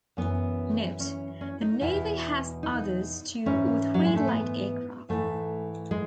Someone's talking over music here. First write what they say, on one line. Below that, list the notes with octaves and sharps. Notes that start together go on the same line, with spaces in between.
Note: The Navy has others two or three light aircraft.
F#2 E3 B3
C#4
C#4
D#4
E2 B2 E4
D#4
G#2 E3 C#4
F#3
G#3
A3
B3
G#2 E3 A3
G#3